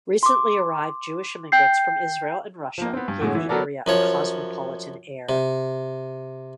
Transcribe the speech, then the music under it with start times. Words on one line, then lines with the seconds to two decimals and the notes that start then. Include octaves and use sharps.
Recently arrived Jewish immigrants from Israel and Russia gave the area a cosmopolitan air.
0.23 C6 D6
1.52 G5 G6 C7
2.78 F3 A#3
2.94 B3 C4
3.08 G2
3.20 F#2 A2 D3 G#3
3.34 E3 E4
3.49 F#3 B3 A4 A#4 D5
3.86 F#2 F3 C#5
5.29 C3